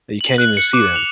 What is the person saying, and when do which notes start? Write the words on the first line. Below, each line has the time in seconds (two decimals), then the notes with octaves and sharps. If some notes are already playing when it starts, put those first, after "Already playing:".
that you can't even see them.
0.21 F#7
0.38 F#6
0.57 C#7
0.73 D6
0.96 F7